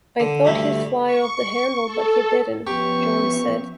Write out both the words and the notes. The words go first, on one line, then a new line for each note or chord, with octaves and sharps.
"I thought he'd fly off the handle, but he didn't," Jones said.
D3
D2 G2 G3 A3
C#6
A4
F3 B3 C#4 G4 E5 C#6